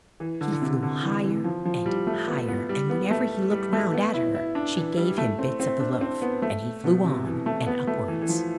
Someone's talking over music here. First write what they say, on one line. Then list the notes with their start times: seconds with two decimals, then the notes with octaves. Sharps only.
He flew higher and higher, and whenever he looked round at her, she gave him bits of the loaf, and he flew on, and upwards.
0.20 E3
0.41 D3
0.52 D3
0.62 C3
0.82 D3
1.03 E3
1.24 E3
1.44 F3
1.65 F3
1.86 G3
2.07 A3
2.28 B3
2.48 B3
2.69 G3
2.90 B3
3.11 A3
3.51 G3
3.73 A3
3.94 B3
4.14 E4
4.35 E4
4.55 D4
4.76 E3
4.97 G3
5.18 A3
5.39 C4
5.60 C4
5.80 D4
6.01 C4
6.22 B3
6.42 A3
6.84 B2
7.05 C3
7.25 E3
7.46 A3
7.66 B3
7.87 A3
8.08 E3
8.21 E3
8.29 F3